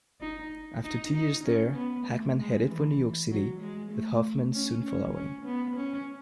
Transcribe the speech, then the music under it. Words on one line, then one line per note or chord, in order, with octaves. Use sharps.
After two years there, Hackman headed for New York City, with Hoffman soon following.
D#4
D#4
D#4
C#4
B3
A3
G#3
E3
F#3
G#3
A3
C#4
C#4
C#4
B3
C#4